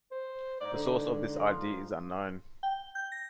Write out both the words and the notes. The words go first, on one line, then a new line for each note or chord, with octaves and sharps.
The source of this idea is unknown.
C5
G#2 D#4 D5
D3
F3 A#5
G5
G6
A#6